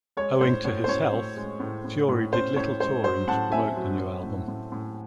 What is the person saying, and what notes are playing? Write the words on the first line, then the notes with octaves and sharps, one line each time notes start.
Owing to his health, Fury did little touring to promote the new album.
G#3 C#5
A2 C5
A2 C#5
C5
A2 C#5
A2
G#3
A2
A2
A2
C#4 C5
A2 C#5
G#3 C5
F#3 C5
A2 F#5 A5
C4 E5 G#5
F#3
F#3
A2
A2
A2